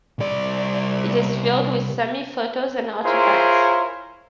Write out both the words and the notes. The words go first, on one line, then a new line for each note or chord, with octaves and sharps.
It is filled with Sami photos and artifacts.
C2 D5
E4 F4 G#4 A#4 C5 C#5